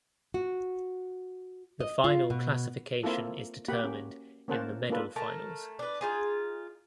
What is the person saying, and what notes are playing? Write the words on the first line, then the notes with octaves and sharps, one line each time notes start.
The final classification is determined in the medal finals.
F#4
D#5
F4
B2
A#3 C4 E4 F4 A4
A#3 F#4 G4 F#5 B5
C#4
A#3 C#4 A#4 C5 F#5 A5
A#3 D4 F4 A4 B4
A3 A#4 A5
D4 B4
D#4 F4 G#4